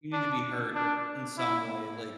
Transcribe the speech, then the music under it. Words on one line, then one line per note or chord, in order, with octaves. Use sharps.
you need to be hurt in some way, like
D4
D4
E4